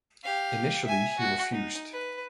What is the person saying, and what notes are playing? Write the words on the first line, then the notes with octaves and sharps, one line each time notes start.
Initially he refused.
G4 F5
E5 G#5
F#4
D#4
B4